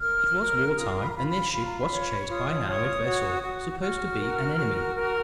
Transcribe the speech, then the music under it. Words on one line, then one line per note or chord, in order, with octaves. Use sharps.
It was war time, and their ship was chased by an armed vessel, supposed to be an enemy.
A#4 F6
A#4
F4 D#6
B5
A#5
F4 B5
B5
F4 B5
A#5
B5
C#5
C#6
F4 D#6
C#5
F#4
F#4
F#4 F6
A#4
F#4
A#4